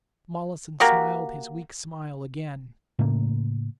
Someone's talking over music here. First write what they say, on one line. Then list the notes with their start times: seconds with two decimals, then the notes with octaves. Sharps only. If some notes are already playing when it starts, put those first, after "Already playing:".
Mollison smiled his weak smile again.
0.80 A#3 F#4 G4
2.99 A2 C#3 A3 A#3